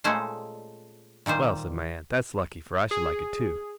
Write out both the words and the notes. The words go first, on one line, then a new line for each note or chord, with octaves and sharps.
'Well,' said my aunt, 'that's lucky, for I should like it too.
A#2 G#3 A3 C#4 C5
A#2 D#3 G3 C5
G#4